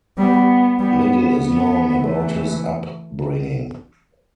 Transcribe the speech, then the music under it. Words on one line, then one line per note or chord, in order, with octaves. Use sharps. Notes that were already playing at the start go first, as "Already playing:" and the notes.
Little is known about his upbringing.
G3 B3
G3 B3
B3
E3 A3